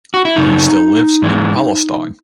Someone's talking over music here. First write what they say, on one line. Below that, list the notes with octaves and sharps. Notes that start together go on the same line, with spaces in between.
He still lives in Palestine.
F#4
E4
F#2 C#3 D#4
G#2 E3 G#3